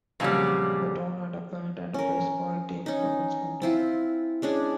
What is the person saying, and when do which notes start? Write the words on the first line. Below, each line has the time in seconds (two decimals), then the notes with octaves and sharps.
The town had a band and baseball team from its founding.
0.20 F2 A#2 C#3 F#3 G3
1.94 C#4 A#4
2.86 C#4 D#4
3.62 C4 E4 F4
4.42 G#3 C#4 D4 G#4